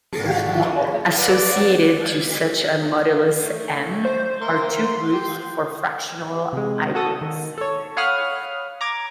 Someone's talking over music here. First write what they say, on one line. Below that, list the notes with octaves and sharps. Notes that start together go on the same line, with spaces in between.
Associated to such a modulus "m" are two groups of fractional ideals.
G#2 D4 F#4 G4
B4 D5
A3
C5
A#3 A#4 E5 C6
G4
C3 G#3
F#4 A4 D#6
D#3
A4 C#5
C#5 F5 F#5 B5 D#6 F6
A#5 D6 G#6